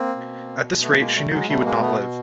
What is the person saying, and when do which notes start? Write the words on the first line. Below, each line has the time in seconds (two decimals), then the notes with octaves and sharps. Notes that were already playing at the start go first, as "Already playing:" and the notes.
At this rate she knew he would not live.
Already playing: A#3 C4
0.16 B2
0.82 A3 B3
0.99 G#3 A#3
1.15 G3 A3
1.31 F#3 G#3
1.48 B2 G3 A3
1.65 G#3 A#3
1.81 A3 B3